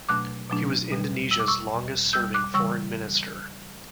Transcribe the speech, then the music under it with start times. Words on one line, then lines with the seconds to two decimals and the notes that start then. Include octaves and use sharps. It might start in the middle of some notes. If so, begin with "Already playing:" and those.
He was Indonesia's longest serving foreign minister.
0.09 B2 F#3 A3 D4 D6 F#6
0.50 B2 F#3 A3 D4
0.90 E2 B2 G3
1.31 E2 B2 G3 E6
1.40 D6
1.48 C#6 E6
1.72 E2 B2 G3
2.13 E2 B2 G3 E6 G6
2.34 D6 F#6
2.54 C#3 E3 G3 C#6 E6